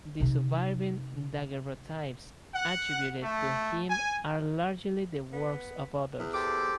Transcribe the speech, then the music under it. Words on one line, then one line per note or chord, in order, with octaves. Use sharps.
The surviving Daguerreotypes attributed to him are largely the works of others.
C3 D#4
F#5
A3
G#5
B3
E2
G4 A4 C5 D6